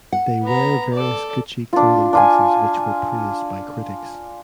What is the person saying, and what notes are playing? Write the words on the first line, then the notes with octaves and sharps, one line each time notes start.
They wear various Gucci clothing pieces which were praised by critics.
F#5
B3 A#5
A4 D5
D4 F4
D4 F4 G#5